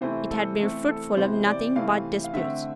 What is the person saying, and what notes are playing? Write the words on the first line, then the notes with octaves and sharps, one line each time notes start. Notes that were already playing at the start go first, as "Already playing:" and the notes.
It had been fruitful of nothing but disputes.
C3 E3 A3 C4 C5
A4
E3 A3 C4 A4
A4
C3 E3 B3 C5
D5
C3 E3 A3 C4 F5
F5
D3 A3 C4 E5